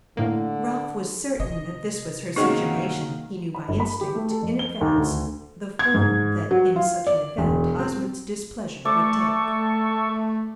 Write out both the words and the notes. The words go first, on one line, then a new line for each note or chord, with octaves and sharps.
Ralph was certain that this was her situation; he knew by instinct, in advance, the form that in such an event Osmond's displeasure would take.
A2 D3 A#3
C3 D#5
D#3 A#3 C4 C#4 D#4 F#4 G#4 D#5
B5
G1
B5
G4
A3
A4
F2
G7
D#2
D2
G#6
G#2
F#3
F4
D5
E1
C4
A3 A4 D5 C#6